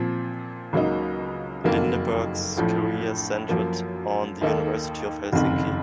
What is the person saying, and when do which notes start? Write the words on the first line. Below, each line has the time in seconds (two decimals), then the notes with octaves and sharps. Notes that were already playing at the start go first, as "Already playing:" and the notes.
Lindeberg's career centred on the University of Helsinki.
Already playing: A#2 F3 C4
0.73 C#2 C#3 F#3 A#3 D#4
1.64 F#1 F2 D#3 F#3 A#3
2.57 A#1 A2 F3
3.49 F#2 F3 A#3
4.41 D#2 D#3 A#3 D#4 A4
5.33 F#1 F2 C3 D#3